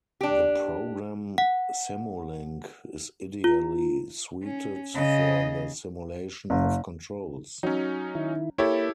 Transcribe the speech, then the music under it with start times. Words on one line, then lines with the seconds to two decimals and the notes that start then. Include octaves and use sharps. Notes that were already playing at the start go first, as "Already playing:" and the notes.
The program Simulink is ideally suited for the simulation of controls.
0.21 D4 G4
1.38 F#5
3.44 F4
4.43 C#4
4.95 C#3 D#5
6.50 F#1
7.63 F#3 C#4 D#4
8.15 D#3 E4
8.58 A#3 E4 G4 A4 C#5